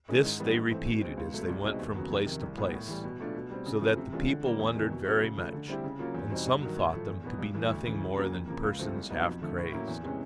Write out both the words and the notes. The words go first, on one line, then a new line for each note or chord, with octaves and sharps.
This they repeated as they went from place to place, so that the people wondered very much; and some thought them to be nothing more than persons half crazed.
D#3 G#3 C#4 E4
G#2
E3 G3 B3 D4
G#2
E3 A3 C4
B2
G#3 C4
C#2
B2 F#3 A3
C2
B2 G#3 C4 D#4
D#2
C#3 F#3 B3
F2
C3 D#3
C2
A#2 G3 B3
A2
E3 G3
B2
F#3 A3 D4 F4
B2
G3 C4
C#3
F3 A3 C4
C3
E3 G#3 C#4 F4
D3
G3 A#3
E2
C3 D#3
B2
F#3 A3 C#4
C#3
F3 A3
D3
G3 C4 E4 G4
C#3
F#3 A#3 C#4 F4
E2
B2 G3 C4 D#4
G2
D#3 F#3
A2
F3 A3
E2
B2 F#3 B3
G2
E3 A3
D2
C#3 E3
C#3
F#3 A#3 C#4
F2
C#3 F3 A#3
C#2
C3 F3 A3 C4
C2
B2 F#3 B3 D#4
F2
D3 F3 A3
A2
F#3 A#3 C#4 E4
E2
C3 E3 G#3 C#4